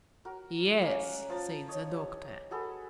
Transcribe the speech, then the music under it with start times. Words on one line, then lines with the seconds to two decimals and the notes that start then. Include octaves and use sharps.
"Yes," said the doctor.
0.25 F#4 A#4
0.81 A#3 C#4 A#4 F#5
1.30 F3 A5 A#5
1.68 C#5 D#5
1.93 G4
2.51 F#4 G#4 A4 B4